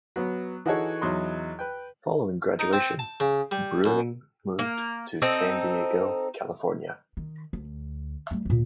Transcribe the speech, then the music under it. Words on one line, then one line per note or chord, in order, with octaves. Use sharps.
Following graduation, Bruening moved to San Diego, California.
F#3 B3
E3 D#4 F#4 G#4 A4 C#5
E2 F#3 D#4 D#5 C6
B4 G5
D#4
C4
A5
C#3
G3
F#2
A#3
C4 D#4 A4
D#3
D2
G3 A3
D2 A#2